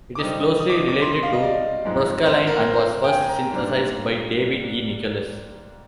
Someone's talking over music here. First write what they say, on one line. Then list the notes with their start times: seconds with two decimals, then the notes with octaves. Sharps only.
It is closely related to proscaline and was first synthesized by David E. Nichols.
0.15 D6
0.19 C3 G3 C4 D#4 D#6
0.41 D#6
0.60 D#6
0.70 D6
0.75 D#6
0.88 D6
1.02 C6
1.13 C6
1.23 F5
1.33 D#5
1.43 D5
1.85 G#2 F3 G#3 C4
2.26 C5
2.47 A#4
2.67 C5
3.04 G5
3.08 G#5
3.29 A#5
3.50 G#2 G3 A#3 D4